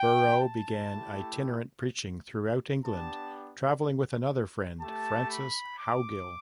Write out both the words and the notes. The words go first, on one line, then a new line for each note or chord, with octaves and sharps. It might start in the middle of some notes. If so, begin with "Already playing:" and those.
Burrough began itinerant preaching throughout England, travelling with another Friend, Francis Howgill.
Already playing: G5
A5
A3 E4 G4
B3 D4 G4 A5
A3 G4 A5
B5
D6